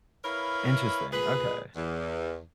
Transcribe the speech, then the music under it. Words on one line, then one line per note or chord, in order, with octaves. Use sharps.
Interesting, okay.
E4 A#4 B4 C#5 F5
A#2 G#4 B4
E2